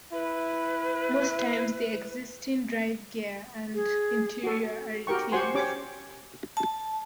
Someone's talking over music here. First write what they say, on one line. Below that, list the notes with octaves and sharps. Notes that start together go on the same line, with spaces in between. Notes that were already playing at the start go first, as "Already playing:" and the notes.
Most times, the existing drive gear and interior are retained.
E4 B4
G#4
F#4 A4
F#4 G4 A#4 G5 C#6
F#4 G4 C5 F#5 G#5 C6
C#4 G4 C#5 D6
A5